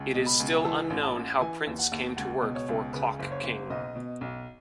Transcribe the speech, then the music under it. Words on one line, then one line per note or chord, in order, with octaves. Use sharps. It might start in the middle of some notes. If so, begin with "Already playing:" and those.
It is still unknown how Prince came to work for Clock King.
Already playing: C#2
B2
B5
C#2
E3 A5
A1
A5
A1
E3 G#5
D#2
F#5
D#2
C#2 F#5
B2
C#5
C#2
C#3 B4
F#1
C#5
F#1
B1 D#5
B2
B1